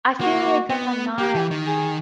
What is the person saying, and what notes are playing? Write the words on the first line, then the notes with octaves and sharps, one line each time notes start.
I feel like I'm not
A#3 F#4
B3
A#3 G4
E3
D#3
G#4